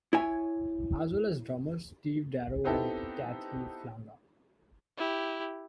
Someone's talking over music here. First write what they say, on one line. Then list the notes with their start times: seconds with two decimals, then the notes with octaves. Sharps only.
As well as drummers Steve Darrow and Cathy Flanga.
0.13 E4 C#5 G#5
2.64 B3 C4 D#4 E4 G4 A4
4.98 E4 G4